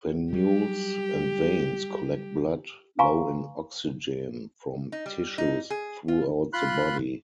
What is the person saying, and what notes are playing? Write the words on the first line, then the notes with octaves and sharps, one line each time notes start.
Venules and veins collect blood low in oxygen from tissues throughout the body.
F#3 G3 G4
B4 F5 G#5 A#5 C6 C#6
D#4
G3
D#4
G#4
F4
F4 B5 C6 F#6